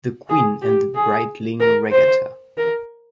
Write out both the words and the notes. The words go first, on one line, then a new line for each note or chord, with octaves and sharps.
The Queen and the Breitling Regatta.
G#4
G4
G#4
A#4
C5
A#4